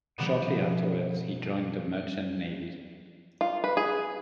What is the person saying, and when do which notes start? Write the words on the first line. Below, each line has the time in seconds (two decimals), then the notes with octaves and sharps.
Shortly afterwards he joined the Merchant Navy.
0.18 B2 D#3 F3 G3 B3
3.41 F4
3.64 B4
3.77 G#4